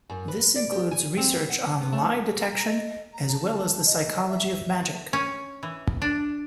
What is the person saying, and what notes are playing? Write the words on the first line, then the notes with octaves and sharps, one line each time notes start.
This includes research on lie-detection as well as the psychology of magic.
F#2
B4
D5
G4
G#5
C4
B3
F#5
B3
A3
A#5
D#5
A#5
A5
D#5
E5
C#4
E3
D4